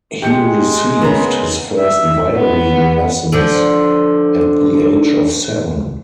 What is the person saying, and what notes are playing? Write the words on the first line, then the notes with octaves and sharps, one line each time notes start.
He received his first violin lessons at the age of seven.
G#3 G4 G6 C#7
C#3 B3 A#4
E5
B3
D3 F3 D4